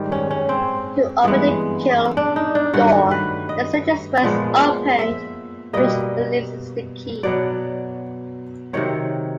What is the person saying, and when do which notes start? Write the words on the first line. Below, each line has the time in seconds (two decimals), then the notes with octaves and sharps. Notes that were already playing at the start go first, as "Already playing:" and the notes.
To open the kiln door, the switch is first opened, which releases the key.
Already playing: G#2 D#3 G3
0.12 C#4
0.31 C#4
0.49 C4
1.24 G2 E3 G#3 B3
2.17 D4
2.36 D#4
2.55 D4
2.73 G2 D#3 F#3 A3 F#4
3.11 B4
3.49 D#5
4.23 A#2 F3 G#3 B3
4.99 E5
5.73 B2 G3 A#3 D#5
7.23 B2 F#3 B3 D5
8.73 C3 D#3 F#3 C#5